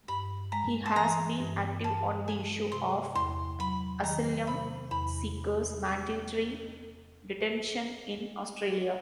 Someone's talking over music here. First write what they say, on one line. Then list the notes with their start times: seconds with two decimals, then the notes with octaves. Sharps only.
He has been active on the issue of asylum seekers' mandatory detention in Australia.
0.08 G2 B5
0.52 G#3 A#5
0.86 A5
0.96 E3 A#5
1.40 G2
1.84 G2 A5
2.28 G#3 G#5
2.72 C3 C6
3.15 E2 C6
3.59 F#3 B5
4.03 D#3 A#5
4.47 C3 B5
4.91 E2 B5